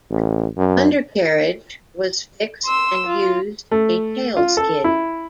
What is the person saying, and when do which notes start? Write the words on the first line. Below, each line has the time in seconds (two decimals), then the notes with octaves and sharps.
Undercarriage was fixed and used a tailskid.
0.11 A1
0.57 F#2
2.66 C6 E6
3.07 F4
3.71 A3
4.37 F4
4.57 A4
4.84 E4